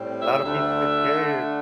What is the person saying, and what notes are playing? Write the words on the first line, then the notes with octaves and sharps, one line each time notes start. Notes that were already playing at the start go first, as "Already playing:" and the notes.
Lotta people get scared
Already playing: A2 G3 C4
E5
D2 D3 A3 D4 E5
D3 A3 D4